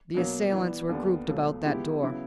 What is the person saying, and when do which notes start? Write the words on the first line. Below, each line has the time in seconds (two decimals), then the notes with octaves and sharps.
The assailants were grouped about that door.
0.14 B2 F#3 A#3
0.52 E3 G3 B3
0.90 D#2 D3 G3 B3
1.28 C#2 B2 F#3 A3
1.66 F3 G#3 B3 E4 G4
2.03 C#3 F#3 B3 E4